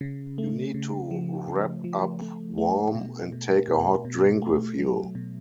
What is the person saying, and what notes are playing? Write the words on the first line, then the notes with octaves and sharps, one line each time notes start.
You need to wrap up warm and take a hot drink with you.
C#3
A3
C#3
F3
C#3
F3
A3
A3
B2
B2
B2
B2
A3
F#3
B2